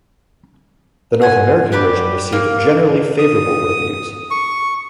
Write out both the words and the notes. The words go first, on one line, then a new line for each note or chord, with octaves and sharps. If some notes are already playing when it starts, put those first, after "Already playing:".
The North American version received generally favorable reviews.
F#5 G#5
D4 G4 B4 D5
A#3
D#6
C#6